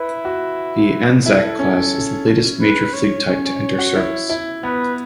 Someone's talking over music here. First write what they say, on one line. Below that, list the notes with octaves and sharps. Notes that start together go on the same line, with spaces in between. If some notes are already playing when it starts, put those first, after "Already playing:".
The "Anzac" class is the latest major fleet type to enter service.
Already playing: E4 B4
F#4
E4 A4
C#4
B4
C#5
C#4 C#5
C#4
F#4
E4
E4
B3 B4